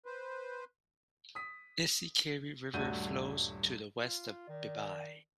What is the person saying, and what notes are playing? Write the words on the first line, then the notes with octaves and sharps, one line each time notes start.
Ishikari River flows to west of Bibai.
B4 C5
D#6 B6
D#1 G2 A3 F#4 G6 D#7
F4
D#3 D5